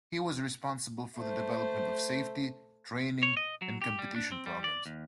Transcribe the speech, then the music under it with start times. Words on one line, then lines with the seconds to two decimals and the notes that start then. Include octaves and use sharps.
He was responsible for the development of safety, training and competition programs.
1.18 A3 C5
3.23 C#5
3.37 D#5
3.62 F#3
3.82 G4
3.99 G3
4.16 D4
4.32 C4
4.46 G3
4.64 D5
4.86 D#2